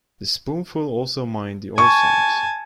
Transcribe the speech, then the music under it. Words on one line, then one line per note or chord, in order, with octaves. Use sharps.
The Spoonful also mined the old songs.
G#5 A5 C#6